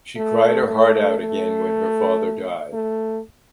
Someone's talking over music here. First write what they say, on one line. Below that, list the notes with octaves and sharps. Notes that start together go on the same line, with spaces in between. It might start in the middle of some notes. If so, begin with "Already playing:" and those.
She cried her heart out again when her father died.
A3
A3
A3
A3